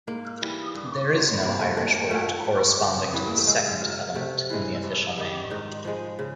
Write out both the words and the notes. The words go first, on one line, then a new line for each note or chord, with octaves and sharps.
There is no Irish word corresponding to the second element in the official name.
G#2 A#3
E3 G3
G2
D#3 F#3
C3 A#3
A3
D#3 F#3 A#3
A#3
A#2 A3
G3
C#3
E3 G3
A#3
A3
C#3 G#3
F#3
C3 A3
E3 G#3
G2
D#3 G3
G#2 D#4
F3 G#3
C#3